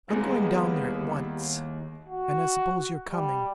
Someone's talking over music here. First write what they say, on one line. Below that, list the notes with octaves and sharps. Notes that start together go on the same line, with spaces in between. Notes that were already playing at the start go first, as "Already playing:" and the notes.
I'm going down there at once, and I suppose you're coming.
D#2 G3 G#3 B3 E4
F#4
G3